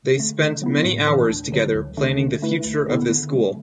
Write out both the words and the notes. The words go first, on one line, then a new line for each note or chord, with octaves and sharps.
They spent many hours together planning the future of the school.
D3 A3
D3
F#3 B3 E4
A2
E3 D4 B4
D2
D3 F#3
D2
D3 A3 D4
D3
A3 E4 B4
D2
D3 B3 E4
D3
F#3 A3